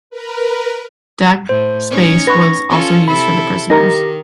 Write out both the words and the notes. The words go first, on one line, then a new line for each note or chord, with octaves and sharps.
Deck space was also used for the prisoners.
A#4 B4
A2 C5
C#4 D#4 C#5
B4 C#6 A#6
C#4 F4 A4
C3 E4 A4 B5
D#3 D#4 G4 A#4 A#6